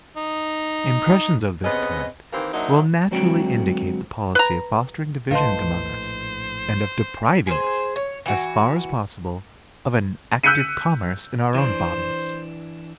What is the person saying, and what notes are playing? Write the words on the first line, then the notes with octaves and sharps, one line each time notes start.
Impressions of this kind will naturally indicate the policy of fostering divisions among us, and of depriving us, as far as possible, of an ACTIVE COMMERCE in our own bottoms.
D#4
C3 B3 C#4 G#4 D#5
D#3 E3 A#3 C4 G4
F#3 A#3 D4 D#4 C5 E5
D3 F#3 G#3 C4 F#4 G5
B4 A#5
A#1 A2 B4 C5 D#5 F5 A5 C6
G#4 A#4 C5
C#5
E3 F#4
E6 F#6 G6 B6 C#7 D#7
E3 D4 C5